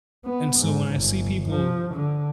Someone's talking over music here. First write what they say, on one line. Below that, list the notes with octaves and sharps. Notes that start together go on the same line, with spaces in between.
and so when I see people
B3
G#2
G1
F3
D3